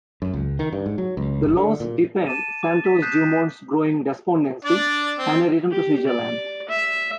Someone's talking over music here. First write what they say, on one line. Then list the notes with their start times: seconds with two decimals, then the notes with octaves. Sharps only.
The loss deepened Santos-Dumont's growing despondency, and he returned to Switzerland.
0.22 F#2
0.34 C#2
0.59 D#3
0.73 G2
0.86 G#2
0.98 F#3
1.17 C#2
1.43 G1
1.57 D3
1.80 A#2
2.26 A5 D6 A6 D#7 E7
2.63 D6 A6
2.85 B6
3.02 D#6 F#6 G6 B6 C7 E7
4.65 D4 D5
5.19 C4
5.71 G4
6.07 D5
6.69 E5